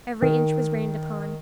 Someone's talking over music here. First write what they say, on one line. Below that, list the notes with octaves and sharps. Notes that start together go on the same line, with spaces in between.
Every inch was rained upon.
D#3